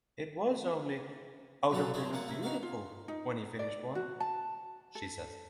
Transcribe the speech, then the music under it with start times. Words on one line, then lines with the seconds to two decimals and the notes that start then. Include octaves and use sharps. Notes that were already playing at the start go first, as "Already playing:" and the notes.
"It was only, 'Oh, don't they look beautiful' when he finished one," she says.
1.70 B1 G2 F#3 A4 F#5
1.94 F#3 E4 G#4 C5
2.13 A3 A#3 F#5
2.28 C3 E4
2.43 D#4 F#4 F5
2.63 F4
3.08 D#4
3.59 D5
3.95 F#4
4.20 A5
4.95 A4